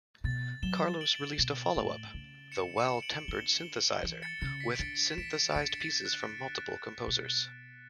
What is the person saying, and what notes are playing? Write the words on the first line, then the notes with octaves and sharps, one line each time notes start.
Carlos released a follow-up, "The Well-Tempered Synthesizer", with synthesized pieces from multiple composers.
B2 A6
F#3 E7 G7
D7 F#7
B2
A2
C#3
C#7 E7
C#7 E7
D7 F#7
D3 G7
E7 G7
E3
A6 C#7
C#3 A6 C#7
B6
D7
D3 A6 C#7
E7
E3 B6 D7
D7
D3 A6 C#7
A6
F#6
B2